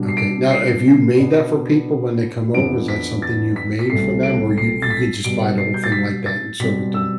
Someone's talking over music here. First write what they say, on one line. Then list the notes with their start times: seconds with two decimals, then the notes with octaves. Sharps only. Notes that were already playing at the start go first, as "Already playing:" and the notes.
Okay, now have you made that for people when they come over? Is that something you've made for them? Or you you could just buy the whole thing like that and serve it to 'em?
Already playing: B2 G3 D4
0.09 C7
0.17 D7
0.51 C7
1.19 B2 B3 D4
2.54 F2 E3 B3 D4 D7
2.88 B6
3.22 A6
3.56 B6
3.79 B6
3.90 C2 B2 A3 C4 C7
4.23 D7
4.58 C7
4.82 A6
4.90 B6
5.24 B2 G3 B3 D7
5.58 C7
5.74 G6
5.84 A6
5.92 B6
6.26 A6
6.60 B2 G3 C4 B6
6.94 E6